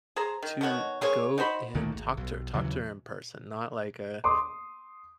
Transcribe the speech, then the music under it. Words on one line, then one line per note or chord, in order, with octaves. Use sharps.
to go and talk to her, talk to her in person, not like a
G#4 C5 A#5
D#3
B2 D#3 F#4 C#5
A#3 G#4 C5 C#5
D#4 F#4 C5 B5
D2 D#3 A3 A#3
G#1
B1
D#2 C#3 E3 F#3
C6 D6 D#6